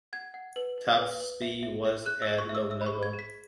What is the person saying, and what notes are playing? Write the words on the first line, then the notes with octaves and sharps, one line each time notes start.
Top speed was at low level.
F#5 G#6
F#5
B4
B4
B4
B4
E5
E5
E5
G#4 F#6
E6
G#4
C#6
E5
E6
E5 E6
B5
C#6
G#4
G#6
G#4
B6